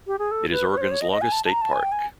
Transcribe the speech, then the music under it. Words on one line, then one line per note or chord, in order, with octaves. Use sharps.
It is Oregon's longest state park.
G4
G#4
A4
B4
B4
C#5
C5
C#5
D#5
D#5
G#5
A5
A5
A#5
A5
G#5
G5
G#5